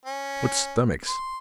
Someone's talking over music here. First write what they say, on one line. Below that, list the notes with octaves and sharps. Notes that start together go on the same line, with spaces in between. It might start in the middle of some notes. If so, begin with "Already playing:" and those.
"What stomachs!"
C#4
C6